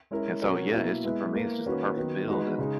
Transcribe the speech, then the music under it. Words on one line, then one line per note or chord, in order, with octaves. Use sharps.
and so, yeah, it's just for me, it's just the perfect build. And,
G#3 C#4 E4 A#4
B2 F#3 C#4 F#4 A#4
B2 F#3 A#3 E4 A#4
G#3 B3 E4 B4
A#3 E4 B4
D#3 A#3 C#4 F#4 B4
D#3 F#3 B3
G#3 D#4 F#4 B4
C#3 G#3 D#4